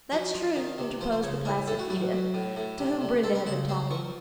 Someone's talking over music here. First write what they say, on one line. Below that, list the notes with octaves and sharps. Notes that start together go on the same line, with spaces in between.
"That is true," interposed the placid Edith, to whom Brenda had been talking.
F3 F#4
F3
D#3
C3
F3 C5
C5
C#3 C#5
A2 A#4
A2 A4
F#4
F#2 F#4
F#2
A2
A2
C3
C3
C4 A4
A#4
C#3 F#5
C4 C6
F3 C#6